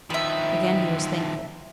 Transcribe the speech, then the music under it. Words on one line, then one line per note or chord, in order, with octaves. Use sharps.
Again he was thankful.
D#3 F3 B4 E5